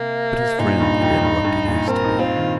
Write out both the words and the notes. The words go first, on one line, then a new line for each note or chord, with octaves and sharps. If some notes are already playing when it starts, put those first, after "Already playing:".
But his friend had interrupted hastily.
Already playing: C3 A#3
A#2 D#4
G2
F2
G2
G2
A#2
C4 A#4
D#4
C4 F4
D#3